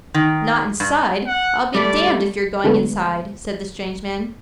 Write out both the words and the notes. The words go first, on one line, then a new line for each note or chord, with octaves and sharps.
'Not inside--I'll be damned if you're going inside,' said the strange man.
D#3
G2
F#5
G3 A3 D5
D3 G#3 A3 B3